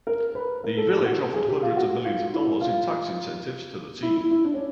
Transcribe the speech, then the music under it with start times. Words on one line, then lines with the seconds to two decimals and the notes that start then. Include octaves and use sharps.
The village offered hundreds of millions of dollars in tax incentives to the team.
0.07 A#4
0.35 B4
0.64 A#4
0.77 A4
0.92 G4
1.06 F#4
1.34 G#4
1.48 G4
1.62 F4
1.77 F#4
2.04 F4
2.33 E4
2.61 F4
4.02 E4
4.17 E4
4.31 E4
4.45 D4
4.54 C#4